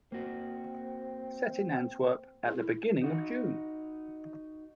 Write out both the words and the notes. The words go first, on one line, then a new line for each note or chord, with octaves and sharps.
Set in Antwerp at the beginning of June.
A#3 C4 F#4
E4 G#4
D#4 F#4